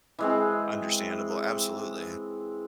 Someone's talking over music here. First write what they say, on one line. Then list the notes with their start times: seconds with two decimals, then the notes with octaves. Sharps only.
Understandable, absolutely.
0.19 E3 G#3 C4